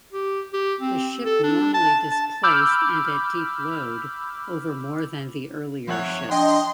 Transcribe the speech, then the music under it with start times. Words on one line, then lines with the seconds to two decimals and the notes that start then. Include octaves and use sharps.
The ship normally displaced and at deep load, over more than the earlier ships.
0.13 G4
0.54 G4
0.81 C4
1.26 A4
1.44 D4
1.74 A5
2.12 A5
2.43 B5 D6 E6 F6 G6
5.88 F3 C#5 E5 F#5
6.31 D4 D#5 G5 C6